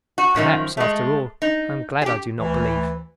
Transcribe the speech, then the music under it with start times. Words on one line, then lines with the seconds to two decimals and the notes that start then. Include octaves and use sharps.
Perhaps, after all, I am glad I do not believe.
0.18 F#4
0.36 F#2 D#3 F3
0.77 G#3 A3
1.42 D#4
2.02 G4 G#4
2.39 D2 E3